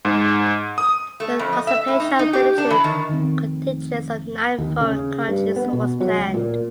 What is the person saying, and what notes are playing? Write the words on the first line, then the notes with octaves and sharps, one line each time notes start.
The participation of military contingents of nine foreign countries was planned.
G#2
D#6
A3
F2
D#5
E5
A2
D#4
D#4
G4
D4
E3
D#3
F1 D#3 C4
D#2
C#3
G2
B3
B2
F#3
C#2
A#2